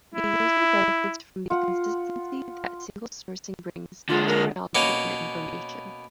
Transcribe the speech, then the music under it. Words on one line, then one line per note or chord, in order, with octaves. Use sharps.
The user benefits from the consistency that single-sourcing brings to terminology and information.
E4
F4 F#5
D3 G#3 F4
A#4
B2 A#3 C#4